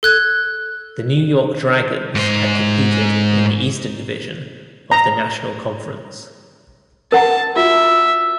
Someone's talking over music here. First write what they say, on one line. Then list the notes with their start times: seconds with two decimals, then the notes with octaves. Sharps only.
The New York Dragons had competed in the Eastern Division of the National Conference.
0.03 A4 F#6 G#6
2.15 G#2 C5
4.92 A#5
7.12 A#4 F#5 A5 A#5
7.56 F4 F#4 E5